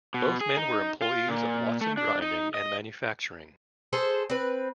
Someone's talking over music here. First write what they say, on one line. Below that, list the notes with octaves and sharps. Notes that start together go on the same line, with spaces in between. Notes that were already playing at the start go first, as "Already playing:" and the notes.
Both men were employees of Watson Grinding and Manufacturing.
B2
G#4
D#4
F4
A#2
A3
D4
D#4
D#5
G#4 A4 C5
C4 B4